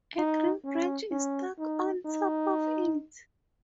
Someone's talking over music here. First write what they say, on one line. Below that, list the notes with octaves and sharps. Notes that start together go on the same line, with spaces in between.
A green branch is stuck on top of it.
D#4
C#4
C#4
D#4
D#4